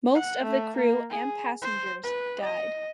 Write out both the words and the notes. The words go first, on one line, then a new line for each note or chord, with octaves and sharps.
Most of the crew and passengers died.
F#5
A3
A#3
G#4
C5
B4
D#5